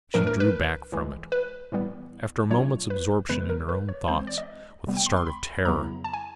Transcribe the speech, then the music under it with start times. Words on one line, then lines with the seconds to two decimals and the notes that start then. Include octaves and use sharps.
She drew back from it, after a moment's absorption in her own thoughts, with a start of terror.
0.14 A2 F3 A3 D4 A#4
0.27 A#4
0.40 B4
0.92 A2 E3 G#3
1.32 B4
1.72 A2 E3 G3 B3
2.50 B2 F#3 A3 D4 F4 C#5
2.90 B4
3.29 F#2 C#3 E3 G#3 B3 B4
3.49 A#4
3.69 B4
3.89 C#5
4.08 E3 G#3 C4 C5
4.27 D5
4.38 D#5
4.87 C3 D#3 G3 B3
4.97 G5
5.06 C6
5.16 C6
5.26 B5
5.65 F2 C#3 F#3 B3 E4 A#5
6.04 A5
6.13 G#5